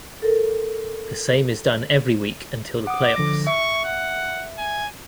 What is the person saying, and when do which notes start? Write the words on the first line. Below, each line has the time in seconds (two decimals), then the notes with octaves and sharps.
The same is done every week until the playoffs.
0.22 A4 A#4
2.87 F#5 D6 D#6
3.16 D3 F3 A#6
3.47 E5 C#6
3.85 F#5
4.58 G#5